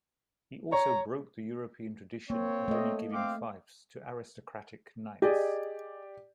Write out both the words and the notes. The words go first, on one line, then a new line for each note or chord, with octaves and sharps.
He also broke the European tradition of only giving fiefs to aristocratic knights.
C#5 A#5
A#3 C4 C#5
A3 D#5
C4 F5 D6
G4 G#4 D5 D#5